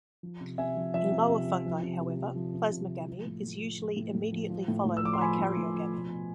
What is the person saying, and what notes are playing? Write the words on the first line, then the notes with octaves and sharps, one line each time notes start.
In lower fungi however, plasmogamy is usually immediately followed by karyogamy.
F3
C3
C3 E5 G#5
F3
F3 E5
C3
C3
F3
F3
C3
C3
F3
F3
C3
C3
F3
F3
A2
A2
F3
F3
A2
A2
F3
F3
A2
A2
E6
F3 D6
C6
F3 G#5 B5
A2
A2
F3
B2
B2